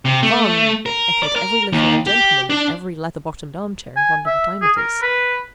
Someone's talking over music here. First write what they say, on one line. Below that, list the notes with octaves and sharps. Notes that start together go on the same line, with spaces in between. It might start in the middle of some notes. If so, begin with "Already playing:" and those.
"Von!" echoed every little old gentleman in every leather-bottomed arm-chair in Vondervotteimittiss.
C3
A3
A#4
D5
A#4
D#2
G4
D4
G#5
E5
G#4
A#4
B4